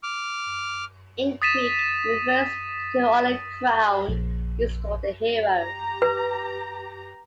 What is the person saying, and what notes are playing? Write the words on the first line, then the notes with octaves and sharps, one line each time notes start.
In Greek it refers to the olive crown used for the hero.
D6 F6
D#6 A6 B6 D#7 E7
A#1
G4 A#5
B4